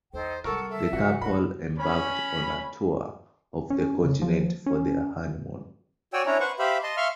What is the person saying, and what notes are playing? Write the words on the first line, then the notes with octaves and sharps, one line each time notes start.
The couple embarked on a tour of the continent for their honeymoon.
E2 D#4 A4 C5 G5
C3 G3 A4 A#4 F#5 C#6
A4 E5
C#3 E3 F#4 F#5
D#3 F3 F#4 A#4 B5
C#4 B5
C#4
C#3
F3
C#4
F#4 C#5 D5 G5 G#5 E6
C#4 D4 E4 C#5 A#5
B4 C5 F#5 C#6
G4 C5 E5 F5 B5
D#5 A5 C6
E5 F5 C6 C#6 F6